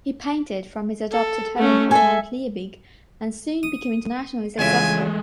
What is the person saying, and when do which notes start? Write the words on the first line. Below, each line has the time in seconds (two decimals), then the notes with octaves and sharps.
He painted from his adopted home of Mount Liebig and soon became internationally successful.
1.12 A4
1.57 A3 C#4
1.91 A4 E5 G#5
3.63 D#6
4.59 F2 C#3 E3 G#3 A3 E5 G#5